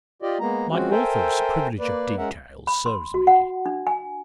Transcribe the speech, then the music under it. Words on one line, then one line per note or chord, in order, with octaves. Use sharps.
My author's privilege of details serves me here.
F4 G4 D5 D#5
G#3 A#3 B3 A#5
F3 G#3 C4 C#4 F#4
A4 A#4 C5 E5 G5 G#5
A#3 B4 D5
G#3 C#4 A#4 E5 F#5
B5
C6
F#4
F#5
D4
G#5